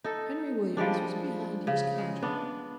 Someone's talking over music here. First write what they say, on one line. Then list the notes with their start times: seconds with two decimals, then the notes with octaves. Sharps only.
Henry Williams was behind his counter.
0.04 D#4 A4
0.77 F3 G3 G#3 D4
1.67 C#3
1.98 G#3
2.22 B3 D4